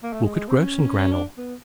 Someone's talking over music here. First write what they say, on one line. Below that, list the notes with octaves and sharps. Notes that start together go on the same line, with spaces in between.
Look at Grossengrannel.
A#3
A3
G#3
G#3
C4
C#4
C#4
D4
B3